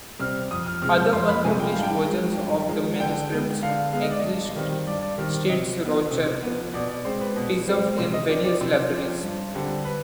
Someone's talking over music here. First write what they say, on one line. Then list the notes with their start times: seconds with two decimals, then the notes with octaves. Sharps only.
Other unpublished versions of the manuscripts exist, states Rocher, preserved in various libraries.
0.19 C3 G3 C4 F6
0.51 F2 D#6
0.66 F6
0.82 C3 F3 G#3 F6
0.97 G6
1.13 F2 C6
1.29 B5
1.44 C3 F3 G#3 G#5
1.60 G5
1.71 G2 F5
1.83 G5
2.06 F3 G#3
2.37 G2
2.68 F3 G#3
3.00 D3 G5
3.31 G#3 B3
3.63 D3 F5
3.93 G#3 B3 F5
4.02 D#5
4.11 D5
4.19 G2 D#5
4.56 D#3 G3 C4
4.87 G2 D5
5.02 D5
5.18 D#3 G3 C4
5.49 C3 D#5
5.80 F3 B3
6.11 C3
6.43 F3 B3
6.74 B2 D5
6.89 D5
7.05 G#3 C4 C5
7.21 B4
7.36 B2
7.68 G#3 C4
7.98 C3 C5
8.14 D#5
8.29 F3 C4 D5
8.45 D5
8.61 C3 C5
8.91 F3
8.96 C4
9.23 G2
9.54 D3 G3 C4
9.85 B4